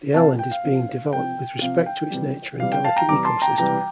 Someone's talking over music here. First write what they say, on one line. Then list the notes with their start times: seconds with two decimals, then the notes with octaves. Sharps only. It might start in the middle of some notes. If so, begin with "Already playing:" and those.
The island is being developed with respect to its nature and delicate ecosystem.
0.14 C3 F3 C4 F5 A5
0.39 G5
0.51 F5
0.63 C3 F3 C4
1.13 C3 F3 C4 G5
1.61 C3 F3 C4 F5
1.86 G5
2.11 C3 E3 G3
2.59 C3 E3 G3 F5
2.72 G5
2.84 F5 A5
2.96 G5 A#5
3.08 C3 E3 G3 A#5 D6
3.25 A5 C6
3.42 G5 A#5
3.58 C3 E3 G3 G5 A#5